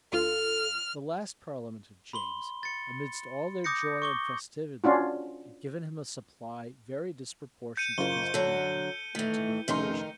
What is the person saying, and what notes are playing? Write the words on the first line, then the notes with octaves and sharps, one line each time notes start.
The last parliament of James, amidst all their joy and festivity, had given him a supply very disproportioned to his demand, and to the occasion.
D2 F4 A4 F6
B5 C6 G7
A6 C#7
D6 D#6 G6 A#6 C#7
C#6 D6 G7
C#4 D4 F4 F#4
G6 C#7 D#7
F#1 F4 A#4 G7
D3 F#3 A4
D#3 E3 A3
F1 D#3 A3 C#4 D#4 A#4 C6